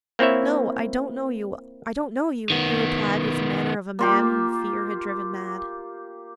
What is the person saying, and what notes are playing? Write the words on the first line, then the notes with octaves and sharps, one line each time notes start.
'No, I don't know you--I don't know you,' he replied, with the manner of a man whom fear had driven mad.
A#3 C4 E4 C#5 E5
D#3 B3
A#3 F4 G4